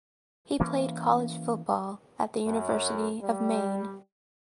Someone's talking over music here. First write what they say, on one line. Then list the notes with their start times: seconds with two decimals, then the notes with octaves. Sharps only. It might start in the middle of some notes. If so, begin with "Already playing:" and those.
He played college football at the University of Maine.
0.60 E3 A#3 C#4
2.46 F#2
3.22 G3